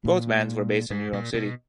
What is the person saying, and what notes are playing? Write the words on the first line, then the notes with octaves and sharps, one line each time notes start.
Both bands were based in New York City.
A#2
G#2
A#2
B2